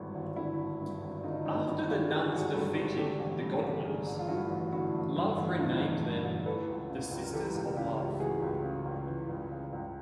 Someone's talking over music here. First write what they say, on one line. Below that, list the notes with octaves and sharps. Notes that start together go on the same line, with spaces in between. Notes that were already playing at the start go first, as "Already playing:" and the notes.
After the Nuns defeated The Godwinns, Love renamed them the Sisters of Love.
Already playing: G#1 G2 D3 E4
G#1
D3 E4
G#1
G2
G#1
D3 D#4 F4
G#1 D#4
G2 E4
G#1 F4 G4
D3 G#4
G4
G#1 F#4 G#4
G2 G4 A4
G#1
D3 G4 A4
A1
G2
A1
D3 G#4 A#4
A1
F4
G2 E4 F#4
A1
D3 E4 F#4
A1
G2
A1
E4
D3 D#4 F4
A1
G2
A1
E3 A4 B4
C#2
C#3
C#2
A#4
E3 G4 A4
C#2
C#3 F4 G4
C#2
E3 F#4 G#4
C#2
C#3
C#2
E3
C#2
C#3
C#2